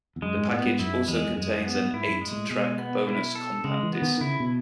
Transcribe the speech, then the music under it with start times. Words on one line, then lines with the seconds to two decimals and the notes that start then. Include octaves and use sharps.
The package also contains an eight track bonus compact disc.
0.16 E2
0.22 F#2 G#3
0.37 G#2
0.51 A2 B3
0.65 G#2
0.79 F#2 E4
1.08 E2 G#3
1.28 E2
1.37 F#2 G#3
1.55 F#2
1.65 B3
1.74 G#2
1.93 G#2 E4
2.08 F#2
2.21 G#2 G#3
2.31 B2
2.36 A2
2.50 B2 G#3
2.79 B3
3.07 E4
3.35 A4
3.64 C#3 G#3
3.83 E3
3.93 B3
4.02 D#3
4.20 C#3 E4
4.40 B2